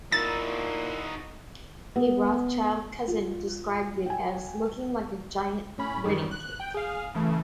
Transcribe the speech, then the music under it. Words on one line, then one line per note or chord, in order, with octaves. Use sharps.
A Rothschild cousin described it as: "looking like a giant wedding cake".
A#2 D#4 E4 F#4 E5 A6
B3
F4
G5 G#5
A2 C#4 B5
F#2 D#3 G3
F#6
G5
G#4 F5
C#3 E3 A3